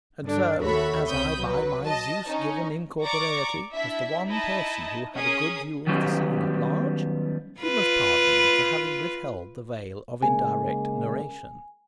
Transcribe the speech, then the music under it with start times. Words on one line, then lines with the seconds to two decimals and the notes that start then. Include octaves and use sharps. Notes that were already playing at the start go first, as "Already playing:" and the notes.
And so, as I by my Zeus-given incorporeity was the one person who had a good view of the scene at large, you must pardon me for having withheld the veil of indirect narration.
0.23 G2 D3 D4
0.61 D#2 F#4 A4 C#5 E5 B5
1.07 C2 C4 C#5 B5 D#6 G6
1.38 F#3 B4
1.84 D#5 A5
2.28 C#4 D#4
3.02 D5 A#5 C#6 D6
3.72 D4 E4 E5
4.27 D#4 E4 D#5 A5
5.14 C#4 G#4 A#4 D#6
5.87 D#3 F#3 G3 B3 C#4
7.61 F4 B4
10.23 C#3 G#3 A#3 G#5